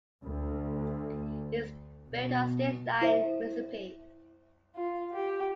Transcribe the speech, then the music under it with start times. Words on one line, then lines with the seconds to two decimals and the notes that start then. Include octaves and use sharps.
He is buried at State Line, Mississippi.
0.23 D2
2.09 B2
3.01 E4 C5 E5
4.76 F4
5.14 G4